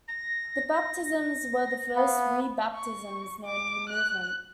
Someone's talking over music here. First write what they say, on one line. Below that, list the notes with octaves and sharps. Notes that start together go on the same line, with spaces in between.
These baptisms were the first "re-baptisms" known in the movement.
A#6
B3 F5
C#6
D6
F#6